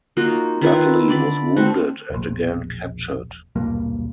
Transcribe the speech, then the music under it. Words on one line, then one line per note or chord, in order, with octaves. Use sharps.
Dudley was wounded and again captured.
A#3 D#4 F4 F#4
D#3 E4 F4 B4
D3 D5 B5
A3 C4 F#4
E1 A#1
D#1 B1 G2 A#3